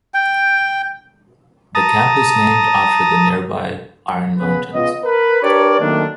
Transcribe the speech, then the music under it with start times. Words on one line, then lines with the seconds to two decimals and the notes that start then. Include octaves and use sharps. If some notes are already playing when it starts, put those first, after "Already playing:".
The camp is named after the near by Iron Mountains.
0.14 G5
1.75 A5 A#5 D#6
4.38 C#3 B3 G#4 B4
4.74 C#2 B3 C#4 F4 D#5
5.04 A#4 B4
5.43 D4 G4 A#4 B4 C#5 D5
5.80 D#3 F#3 A3 A#3 C4 D4